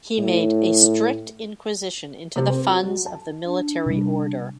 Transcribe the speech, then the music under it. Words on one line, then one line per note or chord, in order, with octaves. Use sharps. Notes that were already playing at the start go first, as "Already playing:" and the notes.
He made a strict inquisition into the funds of the military order.
A2
C3
C4
F#4
F#3
A5
D4
C3 G3